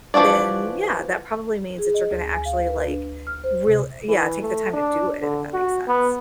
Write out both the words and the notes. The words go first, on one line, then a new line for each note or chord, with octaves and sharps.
then yeah, that probably means that you're gonna actually, like, real yeah, take the time to do it, if that makes sense?
E3 F3 D4 F#4 D5
G#4
D#5
D2
G#5
F5
B4
D4
F6
C5
C3
E3
A3
D4
D3
F#4
B3